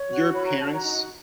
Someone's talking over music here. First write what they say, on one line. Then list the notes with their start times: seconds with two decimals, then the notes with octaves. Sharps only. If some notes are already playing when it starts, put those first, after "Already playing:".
your parents
Already playing: C#5
0.09 F#4
0.34 C#5 B5
0.46 A#5
0.59 F#4 A5
0.72 A#5
0.83 D#4